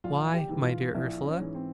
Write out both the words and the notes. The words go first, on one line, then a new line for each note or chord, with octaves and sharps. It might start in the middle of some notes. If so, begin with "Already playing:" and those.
"Why, my dear Ursula?"
A#1 F4
G4
G#2 E3
F4
A#1 E4
C#4
G#2 E3
C4